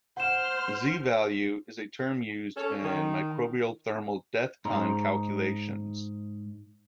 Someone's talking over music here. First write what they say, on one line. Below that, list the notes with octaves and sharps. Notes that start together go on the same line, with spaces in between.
Z-value is a term used in microbial thermal death time calculations.
C5 F#5 F6 E7
C#4 A4
D#3
G#2 D#4 G#4 C#5 A#5 C6